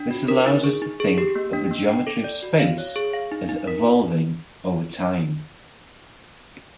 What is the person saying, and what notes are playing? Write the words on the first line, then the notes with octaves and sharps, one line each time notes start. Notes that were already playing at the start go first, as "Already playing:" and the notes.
This allows us to think of the geometry of "space" as evolving over "time".
Already playing: D4
F#4
A#4
D#4
G#4
D#4
G#4
G4
A#3
D4
A#3
G5
A4
D5
F#4
F5
C#5
G#4
F5
D#4
D#4
A#4